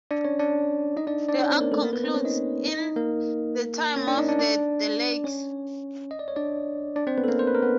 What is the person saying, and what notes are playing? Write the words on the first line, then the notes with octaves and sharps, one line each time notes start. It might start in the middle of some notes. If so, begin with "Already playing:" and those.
The arc concludes in "The Time of the Daleks".
D4 D5
C#4 C#5
D4 D5
D#4 D#5
D4 D5
D4 D5
C#4 C#5
C4 C5
A#3 A#4
A3 A4
A#3 A#4
B3 B4
C4 C5
C#4 C#5
D#4 D#5
D#4 D#5
A#3 A#4
C#4 C#5
D4 D5
D#4 D#5
D4 D5
D4 D5
C#4 C#5
D#5
D5
C#5
D4 D5
D4 D5
C4 C5
B3 B4
A4
A#3 A#4
C5
B4
A#4
B3 B4